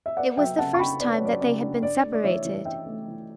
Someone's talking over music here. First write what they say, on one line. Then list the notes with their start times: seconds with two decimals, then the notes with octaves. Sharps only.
It was the first time that they had been separated.
0.06 E5
0.17 B3 D5 F#5
0.37 F#3 E5 G5
0.58 C#3 F#5 A5
0.74 C#6
0.79 D4 G5 B5
1.00 B3 D5
1.13 C#5
1.21 F#3 D5
1.41 C#3 D5
1.62 D4
1.83 D4 D5
2.03 A3
2.13 D5
2.24 E3 C#5 E5
2.45 E3
2.65 D4 E5 G5
2.86 A3
3.08 E3